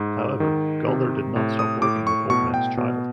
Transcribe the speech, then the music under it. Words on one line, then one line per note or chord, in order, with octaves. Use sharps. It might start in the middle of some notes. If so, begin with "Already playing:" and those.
However, Galder did not stop working with Old Man's Child.
Already playing: G#2
D#3
C3
A2
D#6
A2 D6
C#6
B2 C#6
G5
B2